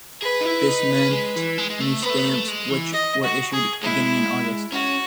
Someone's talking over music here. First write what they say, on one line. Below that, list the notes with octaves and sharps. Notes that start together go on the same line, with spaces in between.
This meant new stamps, which were issued beginning in August.
G#4 B4
D#4
E4
D#4
C#4
G#3
E3
G#3
G#3
A3
B3 B4
A3
B3
A3
G#3
E3
D#5
F#4
G#4
G#3 E4
C#4 F#4